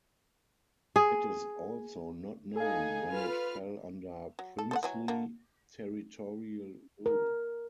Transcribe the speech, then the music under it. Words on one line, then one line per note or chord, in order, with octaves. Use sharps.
It is also not known when it fell under princely territorial rule.
G#4
D#4 G#4 A4 F5 G#5
F4 B4 F6
F#3
A4
A4 C5 F#5
E3 F#3 G#5
D3 A3 A#3
A#4